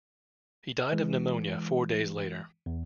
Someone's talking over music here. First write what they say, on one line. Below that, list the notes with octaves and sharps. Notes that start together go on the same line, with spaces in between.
He died of pneumonia four days later.
E3 G#3
E2